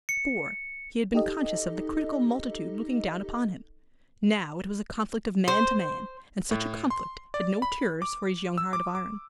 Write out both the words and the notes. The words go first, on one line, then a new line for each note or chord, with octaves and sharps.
Before, he had been conscious of the critical multitude looking down upon him; now it was a conflict of man to man, and such a conflict had no terrors for his young heart of iron.
C#7
D#4 G4 A4 D#5
C5
A2
C6
D5
B5
D6
E6
D6
D6